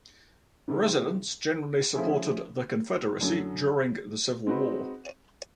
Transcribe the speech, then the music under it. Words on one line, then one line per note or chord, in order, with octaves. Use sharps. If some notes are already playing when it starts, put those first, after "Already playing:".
Residents generally supported the Confederacy during the Civil War.
C3 D#3 G#3
F3 A3 C#4 E4 G#4
F#2 D3 F#3
G#3 C4 D#4 F#4 B4